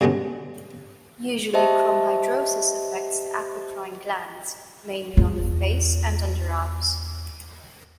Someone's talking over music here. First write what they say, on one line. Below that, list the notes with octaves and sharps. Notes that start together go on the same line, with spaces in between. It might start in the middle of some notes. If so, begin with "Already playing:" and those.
Usually chromhidrosis affects the apocrine glands, mainly on the face and underarms.
G2 B2 G#3 A3 B3 C#4
G4 C5 D#5 E5 A5
E2 F4